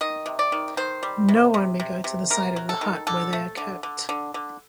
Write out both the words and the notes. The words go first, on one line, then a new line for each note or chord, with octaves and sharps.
No one may go to the side of the hut where they are kept.
D#3 D#5
C3
D5
D#3
D#3 C5
G3
C3
C3
C3
C3
C3 A#4
F#3
A4
D#3
D3 A4
A3
D3
D3
D3
D3